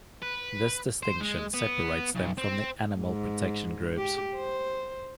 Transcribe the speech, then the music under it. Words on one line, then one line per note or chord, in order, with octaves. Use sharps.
This distinction separates them from the animal protection groups.
B4
C5
G#3
B3
B1
C4
G#2
G4
C5